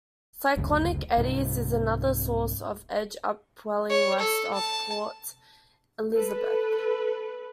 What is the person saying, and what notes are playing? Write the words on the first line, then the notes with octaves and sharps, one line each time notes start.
Cyclonic eddies is another source of edge upwelling west of Port Elisabeth.
F#1 D2 C#3
C2 G#2 C3
C#5
A4
A5
A4 B4